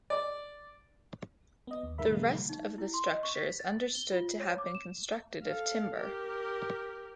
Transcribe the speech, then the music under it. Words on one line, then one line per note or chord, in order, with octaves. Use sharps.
The rest of the structure is understood to have been constructed of timber.
D5
B3 D#5
D#2
G2 D#3 G#3 A#4 E5 B5
A#2 C#3 E3 F#3 G#3 A#3
D#4
E4
C6
D#5
C#6
B6
A6
G7
F4
C#5
D6
E7
A4 F5
G4 A#4